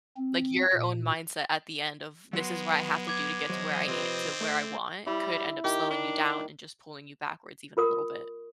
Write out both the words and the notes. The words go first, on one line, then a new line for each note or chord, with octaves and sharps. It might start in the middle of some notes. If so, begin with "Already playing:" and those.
Like, your own mindset at the end of, "This is what I have to do to get to where I am to where I want," could end up slowing you down, and just pulling you backwards even a little bit.
C4
A#2
F#3 G#3 B3 F#4 C6
D6 G#6
E2 F#3 C5 D#5
C3 F3 C4 B4
A3
G3 E4
D#3 G4
D4
F4 A#4 D#6